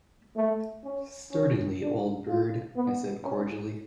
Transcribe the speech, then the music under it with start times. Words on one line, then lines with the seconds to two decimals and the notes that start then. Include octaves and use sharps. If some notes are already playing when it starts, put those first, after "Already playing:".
"Certainly, old bird," I said cordially.
0.36 A3
0.85 C#4
1.32 C#4
1.80 D4
2.28 F4
2.76 B3
3.25 C#4